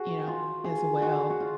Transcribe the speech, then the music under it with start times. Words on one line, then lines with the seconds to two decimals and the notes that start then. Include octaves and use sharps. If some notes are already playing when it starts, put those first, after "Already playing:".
you know, as well,
Already playing: F#4 G#4
0.28 F4
0.64 G#4
1.02 F#4
1.30 F#4
1.40 F4